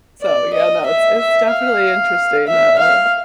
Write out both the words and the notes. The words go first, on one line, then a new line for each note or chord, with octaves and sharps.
So, yeah, no, it's it's definitely interesting, uh,
D5
D#5
E5
E5
F5
E5
F5